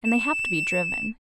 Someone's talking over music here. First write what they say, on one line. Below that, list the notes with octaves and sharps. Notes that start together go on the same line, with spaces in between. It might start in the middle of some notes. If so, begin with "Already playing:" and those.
And they have to be driven.
E7